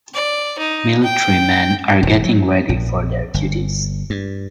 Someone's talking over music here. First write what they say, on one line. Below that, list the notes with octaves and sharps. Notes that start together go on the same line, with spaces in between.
Military men are getting ready for their duties.
D5
D#4
G5
E1
F#3
A#1
G1
G2